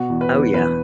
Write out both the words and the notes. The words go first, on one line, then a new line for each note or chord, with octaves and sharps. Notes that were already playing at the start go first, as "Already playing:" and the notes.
Oh, yeah.
Already playing: B2 F#4
E2
B4
E2
E2 B4